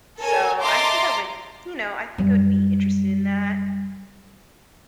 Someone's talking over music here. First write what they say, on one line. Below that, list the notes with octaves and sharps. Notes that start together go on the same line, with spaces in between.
so I think I would you know, I think I would be interested in that,
A4 A#4 C#5 G#5 A5
D#5 E5 A5 A#5 C6 D6
F#2 G3